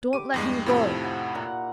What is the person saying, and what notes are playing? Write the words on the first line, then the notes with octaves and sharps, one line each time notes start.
"Don't let him go."
G4 D6 D#7
E2 G2 G#3
F2 A2 C3 F3 D#4 E4
F#5
A#2 F#5 A#5